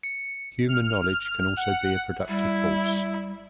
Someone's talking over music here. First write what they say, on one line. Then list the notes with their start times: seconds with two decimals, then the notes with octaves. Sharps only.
Human knowledge can also be a productive force.
0.03 C#7
0.69 F6
1.57 F#5
2.28 G3 E4